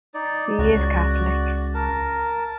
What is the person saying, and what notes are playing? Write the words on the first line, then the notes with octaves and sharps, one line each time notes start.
He is Catholic.
D#4 D5
C#2 F#4 D5
A#4 A5